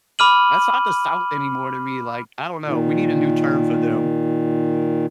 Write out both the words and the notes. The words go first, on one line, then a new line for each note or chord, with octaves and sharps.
That's not the South anymore to me. Like, I don't know. We need a new term for them.
B5 D6 F6 D#7 F#7
A#2 D#3